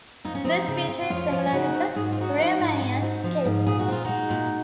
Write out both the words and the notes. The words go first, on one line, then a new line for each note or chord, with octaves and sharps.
This feature is similar to the Riemannian case.
F2 D#4
C#4
F3 C4 D#4
C#3
C4
F#4
F2 C#4 F4
F3
F4
C#3 D#4 F#4
C4
G#2 G#4
F#4
F4
C4 D#4 F#4
F3
G#2
G#2
C4
F3
G#2
A#2 G#4
F#4
C4 F4
G#3 D#4 F#4
A#2